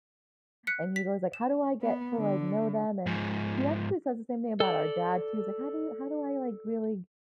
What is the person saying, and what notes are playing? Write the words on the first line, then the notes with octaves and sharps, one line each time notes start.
and he goes, "Like, how do I get to, like, know them?" and he actually says the same thing about our dad too, he's like, "How do you how do I, like, really
F#6 B6 C#7
B6
E7
B3
D3
G#2 F3
A4 D5